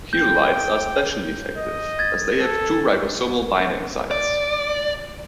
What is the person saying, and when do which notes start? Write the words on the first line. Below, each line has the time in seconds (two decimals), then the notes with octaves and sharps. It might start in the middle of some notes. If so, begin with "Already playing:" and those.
Ketolides are especially effective, as they have two ribosomal binding sites.
0.13 G5 G6
1.57 D#5
1.99 G#6 A6
2.40 A4
4.11 D5